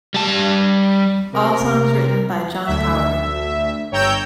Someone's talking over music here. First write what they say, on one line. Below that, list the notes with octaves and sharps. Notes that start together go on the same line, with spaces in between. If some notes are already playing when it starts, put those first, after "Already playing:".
All songs written by John Power.
G3 A5
C3 A#4
D2 E5
G1 C#5 G5 A#5 E6 G6